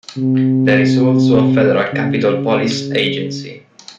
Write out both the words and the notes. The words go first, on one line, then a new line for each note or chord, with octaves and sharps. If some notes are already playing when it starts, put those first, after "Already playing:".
There is also a federal capitol police agency.
C3
C#3